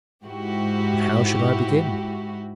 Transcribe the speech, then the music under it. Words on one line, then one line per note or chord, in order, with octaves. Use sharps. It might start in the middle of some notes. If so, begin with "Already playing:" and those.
But how should I begin?
G#2 E4 F#4 G4